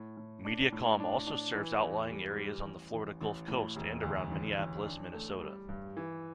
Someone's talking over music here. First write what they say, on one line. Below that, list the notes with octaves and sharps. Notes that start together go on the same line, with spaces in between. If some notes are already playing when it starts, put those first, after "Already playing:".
Mediacom also serves outlying areas on the Florida Gulf Coast and around Minneapolis, Minnesota.
Already playing: A2
A2
D4
A2
D4
D4
E3
E2
G3
G3
A1
A1
A1
A2
E1
D2
A1
A1
D4
A3
G3
G2
E3